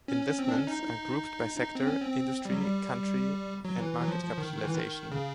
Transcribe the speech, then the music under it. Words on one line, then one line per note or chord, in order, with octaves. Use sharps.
Investments are grouped by sector, industry, country, and market capitalization.
C#4
C#4
C4
D4
C#4
D#4
D#4
D#4
C4
C#4
C4
G3
F#3
G3
F#3
E3
E3
F#3
F3
F3
D#3
D#3
E3
D#3
C#3